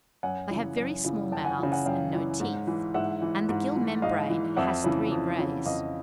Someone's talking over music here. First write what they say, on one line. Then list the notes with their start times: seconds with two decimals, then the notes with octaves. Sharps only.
They have very small mouths and no teeth, and the gill membrane has three rays.
0.23 F#2 F#5 G#5
0.50 C#3 E3
0.77 F#2
1.04 C#3 E3
1.32 F#2 G5 A5
1.45 F#5 G#5
1.59 C#3 E3
1.72 F#5 G#5
1.85 F#2 F5 G5
2.13 C#3 E3
2.40 G#2
2.67 E3
2.94 G#2 E5 F#5
3.22 E3
3.49 G#2
3.76 E3
4.02 G#2 D#5 F5
4.30 E3
4.57 F2 E5 F#5
4.84 C#3 E3
5.11 F2
5.38 C#3 E3
5.65 F2 D#5 F5